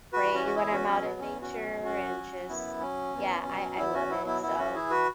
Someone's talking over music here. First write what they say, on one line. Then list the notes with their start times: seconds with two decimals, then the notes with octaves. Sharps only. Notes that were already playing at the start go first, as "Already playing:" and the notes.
pray when I'm out in nature and just, yeah, I I love it. So,
0.13 F#4 B4
0.23 E3
0.34 C#4 F#4
0.46 F#4
0.56 E2 E4 G#4
0.72 C#4 F#4
0.88 B2 F#3 C#4
1.04 B3
1.20 E2 C#4
1.42 C#4 F#4
1.52 B2 F#3
1.63 C#4
1.84 F#2 C#4 F#4
2.17 F#3
2.49 F#2 B3 E4
2.81 F#3 C#4
3.14 E2
3.46 B2 F#3
3.78 E2 B3 E4
3.94 C#4 F#4
4.10 B2 F#3 B3 E4
4.26 B3 E4
4.42 F#2 B3 E4
4.59 C#4 F#4
4.74 E3 E4 G#4
4.90 F#4 B4